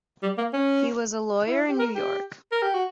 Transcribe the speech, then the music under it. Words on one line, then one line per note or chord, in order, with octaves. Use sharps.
He was a lawyer in New York.
G3
A#3
C#4
E4
G4
A#4
G4
A#4
G4
F#4